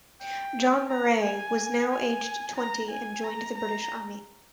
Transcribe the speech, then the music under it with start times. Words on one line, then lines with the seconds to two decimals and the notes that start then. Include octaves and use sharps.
John Murray was now aged twenty and joined the British Army.
0.21 G5
0.89 A#5
1.22 G#5
1.89 G#5
2.56 A#5
2.90 G#5
3.24 A#5
3.58 A#5